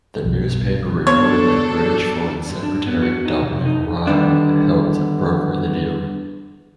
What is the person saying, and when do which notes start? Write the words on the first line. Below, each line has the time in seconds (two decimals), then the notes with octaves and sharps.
The newspaper reported that British Foreign Secretary Dominic Raab "helped broker the deal".
0.25 B1
1.07 B3 D4 A4 C5 C#5
2.50 F#2
2.63 D4
2.87 B3
3.02 F#4
3.26 D#4
3.41 C3
3.65 D#4
3.81 E2
4.07 D3 D#3 G3 B3 D4